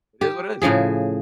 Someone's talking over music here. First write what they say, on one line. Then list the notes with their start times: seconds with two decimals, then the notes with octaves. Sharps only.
it is what it is.
0.21 G4
0.62 A2 C#3 F3 G#4